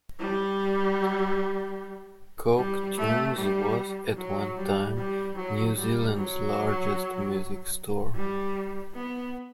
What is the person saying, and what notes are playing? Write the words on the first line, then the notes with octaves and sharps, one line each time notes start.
Coke Tunes was, at one time, New Zealand's largest music store.
G3
G3
A3
G3
F#3
G3
G3
F#3
G3
F#3
G3
B3